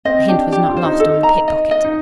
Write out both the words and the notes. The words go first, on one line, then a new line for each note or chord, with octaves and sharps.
The hint was not lost on the pick-pocket.
C4 D#5
D4 G4
G4
F4
C5
D#4
D#4 A4
A#5
D#5
D#5
D#4